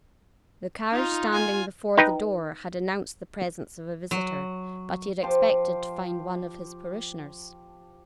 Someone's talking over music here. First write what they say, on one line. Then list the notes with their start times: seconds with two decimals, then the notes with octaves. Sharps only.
The carriage standing before the door had announced the presence of a visitor; but he had expected to find one of his parishioners.
0.91 D#4 F4
1.32 F4 G#5
1.98 D#4 B4 G5
4.11 F#3
5.23 F3 G4 A5 C6